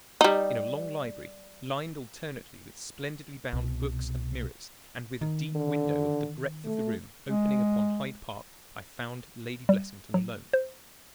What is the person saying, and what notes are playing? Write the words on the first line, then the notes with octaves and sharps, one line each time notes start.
In a long library, lined alternately with splendidly bound books and mirrors, and with a deep window of the breadth of the room opening upon Hyde Park, I found Lady Blessington alone.
G3 D#4
C2 B2
D#3
D3
A3
G#3
G3
F#3
C5